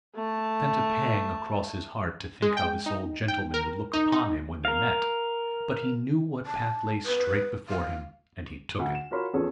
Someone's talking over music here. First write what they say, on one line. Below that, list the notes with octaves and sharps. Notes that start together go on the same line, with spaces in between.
It sent a pang across his heart to think how this old gentleman would look upon him when they met; but he knew what path lay straight before him, and he took it.
A3 A5
G#3
G5
D#4
G5
A#4
D#4
D#4
A#4 F5
A5
B4
F5
D2
E7
F4 F#4 A#4 C#5 B5 C6
E2 F3 C#4 G#4 A4